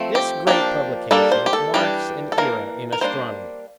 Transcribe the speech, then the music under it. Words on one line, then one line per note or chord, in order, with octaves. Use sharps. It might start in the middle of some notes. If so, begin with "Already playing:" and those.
This great publication marks an era in astronomy.
Already playing: F3 A3 C4
G4
F3 A#3 D4 G4
G3 A#3 D4 A4
C5
G4
A4
E3 G3 D4 G4
A4
E3 A#3 D4 A#4
A#4
G3 A#3 D4 C5